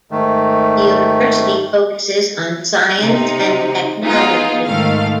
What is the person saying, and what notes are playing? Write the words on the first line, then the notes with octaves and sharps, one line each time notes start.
The University focuses on science and technology.
G#2 D#3 A3
C3 D#4
B3 D#4 F4 G#4
G#2 D#3 A3 F5